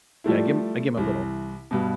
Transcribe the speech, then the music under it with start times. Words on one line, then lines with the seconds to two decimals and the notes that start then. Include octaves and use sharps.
Yeah, I give him I give him a little.
0.24 F3 G3 A3 E4
0.97 C2 E3
1.71 G2 B2